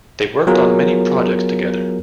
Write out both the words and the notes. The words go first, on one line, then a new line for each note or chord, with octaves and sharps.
They worked on many projects together.
F#3 B3 F4 G#4 A#4